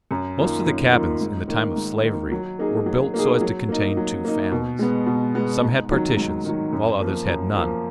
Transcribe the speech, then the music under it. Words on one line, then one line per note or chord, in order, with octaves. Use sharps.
Most of the cabins in the time of slavery were built so as to contain two families; some had partitions, while others had none.
F#2
D#3 A#3 F4
F#2
D#3 A#3 F4
G#2
D#3 A#3
G#2
D#3 A#3
F#3
A#3 D#4 G#4
F#3
A#3 D#4 G#4
F#3
A#3 D#4
F#3
A#3 D#4
B2
G#3 B3
B2
G#3 B3
G#2
D#3 F#3
G#2
D#3 F#3
F#2
F3 A#3
F#2
F3 A#3